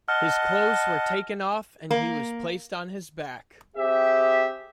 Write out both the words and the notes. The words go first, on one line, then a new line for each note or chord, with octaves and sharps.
His clothes were taken off, and he was placed on his back.
D#5 F#5 A5 F6
A#3
C4 G4 G#4 E5